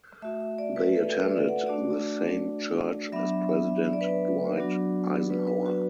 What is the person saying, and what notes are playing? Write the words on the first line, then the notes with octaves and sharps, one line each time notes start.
They attended the same church as President Dwight Eisenhower.
A3 F#4 E5
E5
D5
B4
A4
B4
D5
F#5
A3 D4 F#4 D5
F#3 B3 D4 E5
E5
E5
E5
E5
D5
B4
D5
F#3 B3 D4 F#4
B4
B4
F#4